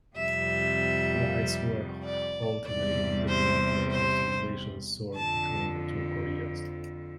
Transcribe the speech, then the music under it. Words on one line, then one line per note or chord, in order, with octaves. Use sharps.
Flights were halted indefinitely after relations soured between the two Koreas.
F2 C3 G3 E5
D5
E2 C3 G3 D5
C5
C5
F2 D3 F3 A5